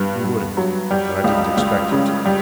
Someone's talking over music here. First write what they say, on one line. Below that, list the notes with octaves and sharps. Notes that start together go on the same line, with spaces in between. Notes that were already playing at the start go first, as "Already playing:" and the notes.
You wouldn't, and I didn't expect you to.
Already playing: G2 B3
G2
F#3
G3
C#2
C#2
C#3
G3